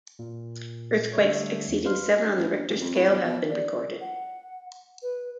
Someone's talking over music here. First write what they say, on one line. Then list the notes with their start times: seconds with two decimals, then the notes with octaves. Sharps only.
Earthquakes exceeding seven on the Richter scale have been recorded.
0.19 A#2
1.13 D3 G3 A3 C#5
1.68 E2
1.85 B4 C5 F5 C6 F6
2.37 A1
2.51 A#1
2.68 D#1
2.81 F2
2.94 A2
3.07 E1
3.24 B2
3.49 D5
4.01 F#5
5.02 B4